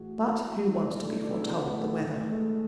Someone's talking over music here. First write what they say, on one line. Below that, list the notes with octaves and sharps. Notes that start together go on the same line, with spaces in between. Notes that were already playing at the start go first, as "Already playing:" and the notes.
But who wants to be foretold the weather?
Already playing: A2 E3 F#4 G#4
A2 E3 E4
F#4
E4
B2 D4
A3
D4
E4
B2 G#4
B3
A3
A2 E3
A3
G#3